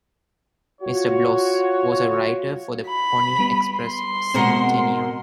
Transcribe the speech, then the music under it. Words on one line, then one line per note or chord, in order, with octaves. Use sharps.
Mr. Bloss was a writer for the Pony Express Centennial.
F4 F#4 C#5
B5
G3 B3
C6
B2 G#3 C4 A#4 F#5